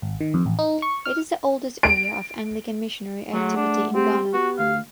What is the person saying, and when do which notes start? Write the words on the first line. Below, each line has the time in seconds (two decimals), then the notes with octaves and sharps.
It is the oldest area of Anglican missionary activity in Ghana.
0.02 G#1
0.21 D#3
0.34 F2
0.46 A1
0.59 D#4
0.82 C#6
1.06 F6
1.83 D7
3.33 F#3 A3 G#4 F#5
3.56 D4
3.95 C4 G4
4.34 B3 F#4
4.59 D2 F5